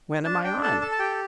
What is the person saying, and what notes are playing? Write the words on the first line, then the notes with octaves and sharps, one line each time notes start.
"When am I on?"
D4 A5
D4 G5
A4 A5
A4 A5
A5
G4 G5